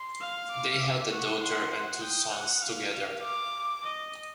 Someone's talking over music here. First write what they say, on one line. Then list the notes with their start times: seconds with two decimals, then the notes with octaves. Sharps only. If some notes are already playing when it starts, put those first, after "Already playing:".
They had a daughter and two sons together.
Already playing: C6
0.20 F5
0.51 D6
0.81 E5
1.11 F#5 C#6
1.41 F#5 C6
1.72 F#5
2.02 G5 D#6
2.33 F#5
2.62 F5
2.92 F5
3.23 D6
3.84 D#5